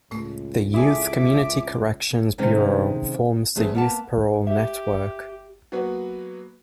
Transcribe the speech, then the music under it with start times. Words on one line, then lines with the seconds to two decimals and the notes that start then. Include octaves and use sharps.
The Youth Community Corrections Bureau forms the youth parole network.
0.11 C#2 A2 A3
0.74 E4 G#4 A4 E5 D6
2.38 C3 D#3 G#3 C4 C#4 D#4
3.56 E2 A3 G#4 C5
3.75 A#3 B3 A5
4.47 G4 E5
5.72 F#3 A#3 B3 F#4 B4